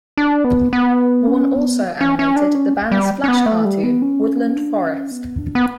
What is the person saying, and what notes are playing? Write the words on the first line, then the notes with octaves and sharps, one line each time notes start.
Warne also animated the band's flash cartoon, "Woodland Forest".
D4
B3
B3
C#4
B3
C#4
C#4
D4
C#4
G3
C#4
B3
A3
G3
B3
C#4
D4
C#4
B3
D4
B3